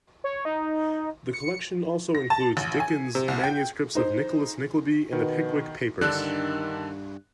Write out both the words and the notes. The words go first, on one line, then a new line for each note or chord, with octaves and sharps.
The collection also includes Dickens' manuscripts of "Nicholas Nickleby" and the "Pickwick Papers".
C#5
D#4
C#7
A#6
A5
A1
G#5
C3
C2
G5
D#4 C5
B2 D#3
G2 D3 D#3 D4 A4 F#6